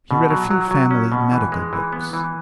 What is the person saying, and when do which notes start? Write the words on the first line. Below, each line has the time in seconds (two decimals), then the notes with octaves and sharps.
He read a few family medical books.
0.11 B2
0.30 F#3
0.51 F#3
0.71 F#3
0.91 C#4
1.12 B2
1.32 E3
1.52 G#3
1.73 E3
1.93 B3
2.13 E3